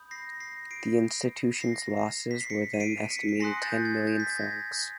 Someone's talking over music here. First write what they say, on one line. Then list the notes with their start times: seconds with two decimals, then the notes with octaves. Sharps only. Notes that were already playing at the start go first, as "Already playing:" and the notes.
The institution’s losses where then estimated ten million Francs.
Already playing: B5 D#6 G6
0.11 A#6 C7
0.40 A#6 C7
0.71 C7 D7
1.60 A#6 C7
2.31 B6
2.41 C7
2.50 B6 C#7
2.74 D#7
2.80 C7 D7
3.10 B6 C#7
3.29 C#7
3.40 G#5 C6 D#6 F#6 A#6 C7
3.62 G6 A6
3.85 G#6
4.07 G6 A6
4.20 B6
4.30 G#6 A#6